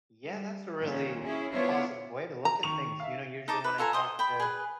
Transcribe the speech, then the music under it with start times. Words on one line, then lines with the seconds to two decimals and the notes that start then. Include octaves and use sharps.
Yeah, that's a really positive way to look at things. You know, usually when I talk to
0.24 G3
0.80 A#2 D#3 C#4
1.22 C#4 E4 G#4
1.52 B3 D4 E4 F4 C5 C#5
2.45 A#5
2.63 D#3 C#6 F7
3.00 E5 F5
3.48 D#4 A5 D6
3.64 B4
3.78 F4 A4 G#5 A#5
3.93 C5 D#5 C6 D#6
4.19 G5 B5
4.40 G#4 B4